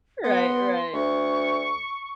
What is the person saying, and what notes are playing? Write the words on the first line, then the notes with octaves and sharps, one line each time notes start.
Right, right.
B3 C6
D2 C#6